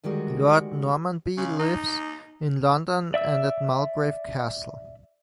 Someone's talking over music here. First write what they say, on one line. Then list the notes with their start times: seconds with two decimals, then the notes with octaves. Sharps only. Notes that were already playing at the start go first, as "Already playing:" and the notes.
Lord Normanby lives in London and at Mulgrave Castle.
0.04 D2 D#3 G3 G#3 F#4
1.37 C#3
1.59 D#4
3.14 D5 E5 E6